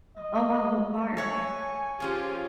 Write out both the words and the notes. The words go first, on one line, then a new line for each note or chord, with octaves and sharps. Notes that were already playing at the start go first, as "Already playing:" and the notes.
Oh wow, what part?
D#5
A4 C#5 F#5 G#5
F3 C#4 F4 G4 G#4